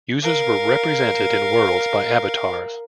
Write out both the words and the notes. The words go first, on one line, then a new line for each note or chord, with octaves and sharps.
Users were represented in worlds by avatars.
A#4 F5